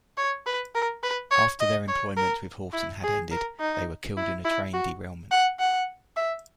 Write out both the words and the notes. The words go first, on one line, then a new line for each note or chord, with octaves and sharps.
After their employment with Horton had ended, they were killed in a train derailment.
C#5
B4
A#4
B4
C#5
D#5
C#5
A#4
E4
G#4
A#4
D#4
E4
E4
F#4
F#5
F#5
E5